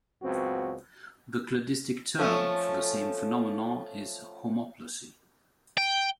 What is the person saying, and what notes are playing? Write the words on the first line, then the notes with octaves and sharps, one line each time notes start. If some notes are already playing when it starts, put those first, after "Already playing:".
The cladistic term for the same phenomenon is homoplasy.
C#2 F#2 B3 C4 F#4
F3 A3 C#4
G5